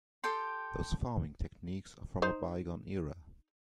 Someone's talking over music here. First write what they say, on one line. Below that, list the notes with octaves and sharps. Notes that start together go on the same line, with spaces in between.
Those farming techniques are from a bygone era.
G4 A4 G5 C6
D#4 C5